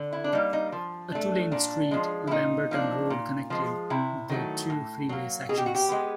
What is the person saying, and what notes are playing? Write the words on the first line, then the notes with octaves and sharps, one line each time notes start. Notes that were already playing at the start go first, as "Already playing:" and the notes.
A two-lane street, Lamberton Road, connected the two freeway sections.
Already playing: D3
E4
D4
G3 A#3 D#4
D#4
F3
A3 D4
A#2 D4
F3 G#3
E4
A#2 D#4
F3 A#3 D4
A#2
F3 G#3
C3 E4
D#3 F#3 A3
A2
F#3 A#3
B2 G#4
G4
F#4
G4
G#3 B3